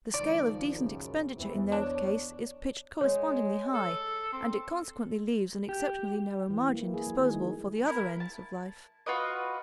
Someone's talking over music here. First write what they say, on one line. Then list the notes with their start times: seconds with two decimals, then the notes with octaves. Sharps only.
The scale of decent expenditure in their case is pitched correspondingly high, and it consequently leaves an exceptionally narrow margin disposable for the other ends of life.
0.14 C#2 D#3 F3 D5
0.75 F#2 C#3
1.37 E2 E3 C4 E4
1.72 D4 C#5
3.01 G#3 C#5
3.74 A4
4.33 C4
5.69 G4
6.50 E3
6.68 A#3
6.80 E4
6.94 G#4
7.07 F#3
7.19 D#3
7.34 G#3
7.88 E4 A#4
8.20 A5
9.06 F4 F#4 B4 D#5